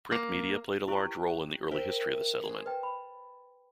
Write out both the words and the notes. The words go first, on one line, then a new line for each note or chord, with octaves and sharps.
Print media played a large role in the early history of the settlement.
A#3
E4 G4 B4 G5 C#6
A#4 C5 E5 G5
G#4 C5
B4 G5 A5
B5